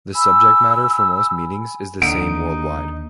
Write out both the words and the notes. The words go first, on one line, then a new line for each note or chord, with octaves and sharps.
The subject matter for most meetings is the same worldwide.
G#5 B5 E6
D#2 D3 D#4 D7